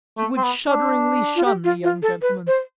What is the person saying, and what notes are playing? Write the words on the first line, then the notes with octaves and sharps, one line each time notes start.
He would shudderingly shun the young gentleman.
A3
C4
B3
D4
F4
G4
F4
F4
A4
B4
C5